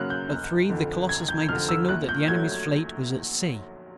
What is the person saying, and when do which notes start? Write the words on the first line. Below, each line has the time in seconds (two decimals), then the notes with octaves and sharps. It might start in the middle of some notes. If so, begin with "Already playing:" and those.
At three the Colossus made the signal that the Enemy's Fleet was at sea.
Already playing: F#2 C#3 F#3 A#3 F6 F#6
0.10 G6
0.30 F1
0.69 F2 D3
1.09 F1 G#6
1.29 G6
1.49 F2 D3 F6
1.69 E6
1.89 A#1 F#6
2.09 G6
2.28 F#3 A3 G#6